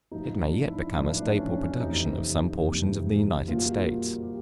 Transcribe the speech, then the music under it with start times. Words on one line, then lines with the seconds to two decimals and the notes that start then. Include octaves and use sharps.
It may yet become a staple production of some portions of the United States.
0.11 A1 G#2 F3 D#4
0.40 D4
0.68 E4
0.96 A1 G#2 F3 D4
1.17 D4
1.38 C#4
1.59 C#4
1.80 F#1 F2 C3 E3 D#4
2.64 F#1 F2 C3 E3
3.48 A#1 A#2 G3 A#3 F4
3.58 F#4
3.67 F4
4.23 G4